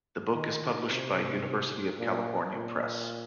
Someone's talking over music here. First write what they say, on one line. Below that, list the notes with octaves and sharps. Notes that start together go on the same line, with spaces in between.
The book is published by University of California Press.
D#3
C3
A#2
A#2